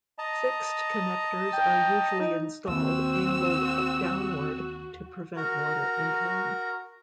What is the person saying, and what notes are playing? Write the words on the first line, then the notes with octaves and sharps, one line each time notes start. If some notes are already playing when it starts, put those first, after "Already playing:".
Fixed connectors are usually installed angled downward to prevent water entering.
D#5 A5 A#5
G5
D#4
D#2 C4 F#4 E6
F#4 A#4 A#5